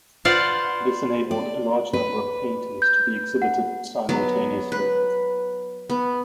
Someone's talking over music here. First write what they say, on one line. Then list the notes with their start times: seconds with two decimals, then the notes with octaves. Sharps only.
This enabled a large number of paintings to be exhibited simultaneously.
0.25 F4 B4 C5 D5 F5 F#5
1.31 D5
1.93 B4
2.82 G6
3.42 F#5
4.09 F#3 B3
4.72 B4
5.90 B3